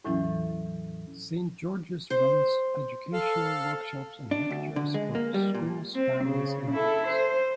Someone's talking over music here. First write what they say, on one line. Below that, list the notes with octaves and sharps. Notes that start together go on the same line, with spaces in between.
Saint George's runs educational workshops and lectures for schools, families and adults.
E2 A2 E3 F#3 C#4 E4
C5
A4 F5
D4
D2
D3
G#3
A#3
G3
A#2
C4
C#3
E4 A4
C5